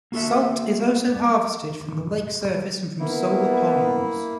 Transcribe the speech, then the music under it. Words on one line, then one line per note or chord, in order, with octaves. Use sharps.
Salt is also harvested from the lake surface and from solar ponds.
A#3 F#4 A4 E5
A#3 B3 E4